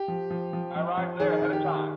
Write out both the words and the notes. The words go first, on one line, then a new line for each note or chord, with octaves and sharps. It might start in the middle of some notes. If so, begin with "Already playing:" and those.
I arrived there ahead of time.
Already playing: G4
F3
F3
F3
F3
F3
D#3 G#4
D#3
G4
D#3